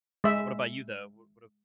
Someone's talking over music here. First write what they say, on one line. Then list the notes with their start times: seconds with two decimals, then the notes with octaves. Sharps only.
Uh, what about you though? What what, uh
0.24 G#3 E5